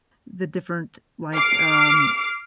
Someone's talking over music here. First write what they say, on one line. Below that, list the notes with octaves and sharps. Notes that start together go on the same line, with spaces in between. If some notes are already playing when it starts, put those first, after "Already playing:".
the different, like, um
D6 F6 C7